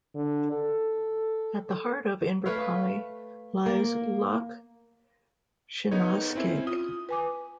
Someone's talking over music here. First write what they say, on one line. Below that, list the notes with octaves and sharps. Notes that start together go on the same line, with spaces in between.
At the heart of Inverpolly lies Loch Sionascaig.
D3
A4
A3 B4 C#5 F5
A#3
B3 D#4 G#4 C#5
C4 C#4 E4
F4 D#6
B4 G#5 D6